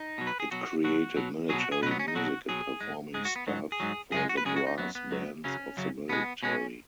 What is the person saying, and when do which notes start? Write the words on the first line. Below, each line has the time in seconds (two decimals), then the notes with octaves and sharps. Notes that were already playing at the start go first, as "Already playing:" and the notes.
It created military music and performing staff for the brass bands of the military.
Already playing: D#4
0.18 B2 F#3
0.27 B4
0.40 G#4
0.51 B2 F#3 F#4
0.84 B2 F#3 F#4
1.16 B2 F#3
1.49 F#3 G#4
1.53 B2
1.60 F#4
1.72 G#4
1.82 B2 B4
1.87 F#3 B3
1.99 C#4
2.08 D#4
2.15 B2 F#3 F#4
2.49 B2 F#3 G#4
2.81 G#2 G#3
3.14 G#2 G#3 G#4
3.25 F#4
3.36 B3
3.47 G#2 F#3
3.72 G#4
3.80 G#2 F#3
4.12 F#2 C#3 G#3 G#4
4.29 F#4
4.37 B4
4.45 F#2 C#3 G#3 G#4
4.56 F#4
4.67 D#4
4.78 F#2 F#3 B3
4.95 B3
5.11 F#2 F#3
5.44 F#2 C#3 F#3 C#4
5.77 F#2 C#3 F#3
6.09 B2 G#3 B3
6.43 B2 G#3 C#4